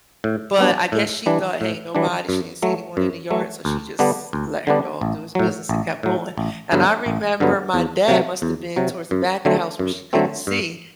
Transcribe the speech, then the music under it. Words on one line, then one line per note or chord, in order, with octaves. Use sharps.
but I guess she thought, "Hey, nobody," she didn't see anyone in the yard, so she just let her dog do his business and kept going, and I remember my dad must've been towards the back of the house where she couldn't see,
A2
G3 B3 D4
A2
E3 G3 D4
A2
E3 G3 D4
F#2
F#3 A3
F#2
F#3 A3
D2
D3 G3 B3 D4
D2
D3 G3 B3 D4
A1
A2 F#3
A1
A2 F#3
A1
G2 D3 F#3 B3
A1
G2 D3 F#3 B3
E2
C3 F#3
E2
C3 F#3
F#2
D3 F#3 A3 C4
F#2
D3 F#3 A3 C4
G2